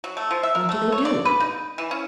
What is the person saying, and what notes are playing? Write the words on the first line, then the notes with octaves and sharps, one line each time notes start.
"What do they do?"
F#3
A3
F3
E5
A#4
A3
C#5
D5
B4
D#4
E3
C#4